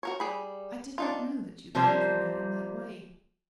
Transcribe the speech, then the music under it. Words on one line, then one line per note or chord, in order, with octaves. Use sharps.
I did not know that you cared for me in that way.
F#4 A#4 C#5
G3 G#4 B5
D4 D#4 F4
C3 F3 G3 A#3 C5